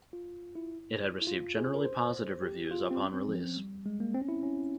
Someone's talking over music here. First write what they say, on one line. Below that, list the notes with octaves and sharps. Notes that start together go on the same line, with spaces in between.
It had received generally positive reviews upon release.
F4
E4
E4
F4
G#4
A#4
C5
G4
F4
C4
C#4
C4
F3
G3
G#3
A#3
C4
C#4
E4
C#4